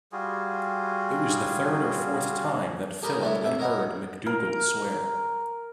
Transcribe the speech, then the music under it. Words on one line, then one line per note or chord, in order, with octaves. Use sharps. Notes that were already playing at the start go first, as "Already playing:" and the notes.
It was the third or fourth time that Philip had heard MacDougall swear.
G3 F4 F#4 G#4
D4 G4 G#4 A#4 B4
G3 A3 D4 E4 C#5
C3 E5
A#4 C#5 D#5 F#5 B5
A#4